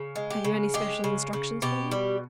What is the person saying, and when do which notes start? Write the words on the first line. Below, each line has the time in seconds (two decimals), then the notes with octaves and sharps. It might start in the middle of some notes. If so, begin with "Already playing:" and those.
"Have you any special instructions for me?"
Already playing: C#3
0.16 G#3
0.31 G4
0.44 C#3
0.74 G#3 G4
1.04 C#3
1.33 C#3
1.62 B2 G4
1.91 G3